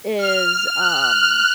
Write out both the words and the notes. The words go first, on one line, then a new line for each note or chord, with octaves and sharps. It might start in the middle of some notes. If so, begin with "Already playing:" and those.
is, um
F6
F#6